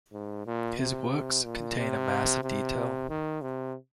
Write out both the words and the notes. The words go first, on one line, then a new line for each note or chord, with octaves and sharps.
His works contain a mass of detail.
G#2
A#2
C3
A#2
C3
C3
D#3
C3